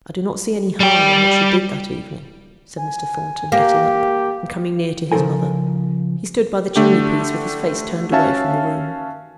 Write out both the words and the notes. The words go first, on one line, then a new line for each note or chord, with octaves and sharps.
'I do not see any harm in what she did that evening,' said Mr. Thornton, getting up, and coming near to his mother; he stood by the chimney-piece with his face turned away from the room.
G3 G5
G#5
A#3 G4
C#3 F3 A#3 A4 A#4 G#5
D3 A3 D4 G4
C#4 F#4 E5 F5 A5